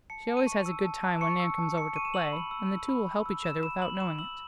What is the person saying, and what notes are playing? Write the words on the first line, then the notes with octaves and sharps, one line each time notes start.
She always has a good time when Nan comes over to play, and the two will help each other without knowing it.
A5 C#7
A5
D#7
C#6
E6
A5
A5
C#6 C#7
E6
A5
A5 C#7
C#6 D#7
E7
E6 F#7
B5
E6
E6
B5
B5
E6
E6 E7
B5 E7
B5 F#7
E6 E7
E6 F#7